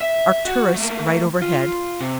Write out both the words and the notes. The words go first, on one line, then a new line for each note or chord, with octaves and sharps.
Arcturus right overhead.
E5
F#4
A3 A#3
F4
C3